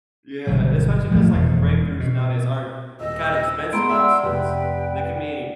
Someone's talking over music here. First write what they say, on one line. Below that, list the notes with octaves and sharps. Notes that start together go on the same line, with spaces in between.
Yeah, especially 'cause, like, the breakthroughs nowadays are kinda expensive in a sense. They can be
G1 B2 F#3
A#1 A2 F3 G3
E1 F2 G#2
B2
D#1 D#5 E6
G#3 B3 F#5 A#5 C6
D5 E5 F#5 G5 E6 F6
F1 G4 B4 G5